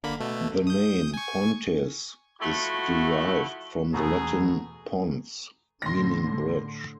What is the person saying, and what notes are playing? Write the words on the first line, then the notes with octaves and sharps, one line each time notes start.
The name "Pontis" is derived from the Latin "pons," meaning bridge.
D3 A#3 B5
B2 A3
D#6 G6
G#5 C#6
F3 A3 E4 F#4
E2 B2 A3 B3 G#4 A#5
A2 D3 C6 A#6